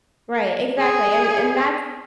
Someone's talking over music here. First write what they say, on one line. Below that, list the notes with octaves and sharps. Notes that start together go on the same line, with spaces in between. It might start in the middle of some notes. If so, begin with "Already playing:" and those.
Right, exactly, and and that's
G#4